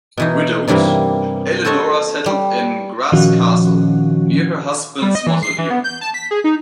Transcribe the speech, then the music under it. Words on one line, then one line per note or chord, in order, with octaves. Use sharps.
Widowed, Eleonora settled in Graz Castle, near her husband's mausoleum.
B2 E3 D#4
G2 C3 E3 G3 A#3
F#4 A4 C5 C#5 D#5
G3
A#2 D#3 F3 C#4 F#4
G3
D#5
E3
C7
E3
B3
G6
A5
B6
G#4
D#4